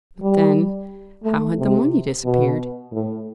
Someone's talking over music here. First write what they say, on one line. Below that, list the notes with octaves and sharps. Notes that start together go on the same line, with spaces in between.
But then--how had the money disappeared?
G3
A3
C3
B2
A2